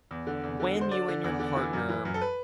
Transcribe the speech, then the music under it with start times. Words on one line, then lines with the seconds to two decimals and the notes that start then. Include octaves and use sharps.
when you and your partner
0.11 E2
0.27 D3
0.43 E2
0.60 D3
0.76 D3
0.81 C5
0.91 D3 D5
1.08 D3
1.24 E2
1.40 D3
1.56 E3
1.73 F#2
1.89 E3
2.05 F#2
2.14 A4
2.21 B4